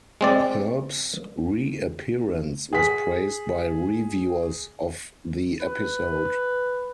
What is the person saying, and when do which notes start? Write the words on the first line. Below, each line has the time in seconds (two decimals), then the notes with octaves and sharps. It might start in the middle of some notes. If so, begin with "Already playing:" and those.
Herb's reappearance was praised by reviewers of the episode.
0.21 G#3 C4 D5
2.73 G#4 B6
5.60 B4